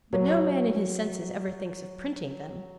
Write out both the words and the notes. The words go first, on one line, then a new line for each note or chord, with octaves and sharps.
But no man in his senses ever thinks of printing them.
F#3